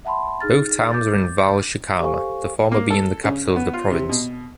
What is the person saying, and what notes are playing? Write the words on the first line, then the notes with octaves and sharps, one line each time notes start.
Both towns are in Valle Chicama, the former being the capital of the province.
E5 F#5 A5 B5 C6
D#4 G#4 F6 A6
D6 G6 A6
G4 A4 C5 F5 G#5 C#6
A#3
A4
C#3
B3
F4
C3
B2